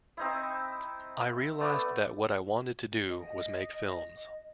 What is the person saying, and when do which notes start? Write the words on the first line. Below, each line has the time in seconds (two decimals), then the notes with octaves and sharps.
I realized that what I wanted to do was make films.
0.17 C4 D#4 E4
1.60 A3 B3 D5
3.08 D#5